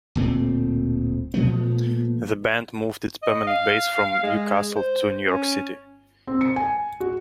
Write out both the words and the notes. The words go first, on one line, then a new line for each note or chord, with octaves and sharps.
The band moved its permanent base from Newcastle to New York City.
D1 A#2 A3 C4
A#2 F3 A3 B3
D#5
F5
G#3
C5
C#4
C4
C#7
G#5
F#4